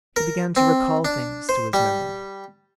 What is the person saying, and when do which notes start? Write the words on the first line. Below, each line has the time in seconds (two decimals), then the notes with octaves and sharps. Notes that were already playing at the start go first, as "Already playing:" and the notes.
He began to recall things to his memory.
0.16 A#4
0.56 C4
1.05 D4
1.49 C5
1.73 G3